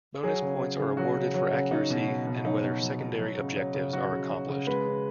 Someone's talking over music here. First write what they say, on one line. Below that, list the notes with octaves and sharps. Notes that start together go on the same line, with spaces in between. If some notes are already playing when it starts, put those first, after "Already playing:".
Bonus points are awarded for accuracy and whether secondary objectives are accomplished.
F#3 G#4
C#3
F#3
C#3
F#3 F#4
C#3
F#3
C#3
F#3 D#4
B2
F#3
B2
F#3 D#4
B2
F#3
B2
F#3
C#3
F#3
C#3
F#3 F#4
C#3
F#3
C#3
G#3 B4
C#3